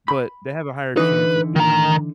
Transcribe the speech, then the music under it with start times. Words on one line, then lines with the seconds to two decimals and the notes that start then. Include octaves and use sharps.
but they have a higher chance of being,
0.08 B5
0.97 D3 E3 D#4 B4
1.56 D#3 A#5